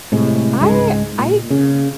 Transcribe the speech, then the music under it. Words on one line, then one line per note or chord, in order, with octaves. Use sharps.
I I
A2 C3 G#3
C#2 G#2 G#3
A#2
C#3